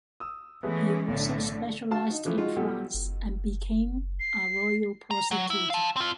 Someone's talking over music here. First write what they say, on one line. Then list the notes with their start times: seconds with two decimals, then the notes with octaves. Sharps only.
He also specialized in France and became a royal prosecutor.
0.20 D#6 E6
0.63 E3 G#3 A3 B3 C#4
1.08 B1 A2 D3 A3
1.91 F#4 F5 A5
2.10 D#4
2.25 C#3 E3 F3 A3
2.37 G#3 D#4 F4 F#4
2.56 B1 G4 A4
2.94 F#1
4.20 C7
5.11 A#5
5.31 F#3
5.50 E4
5.70 F5 A5
5.96 C4 F4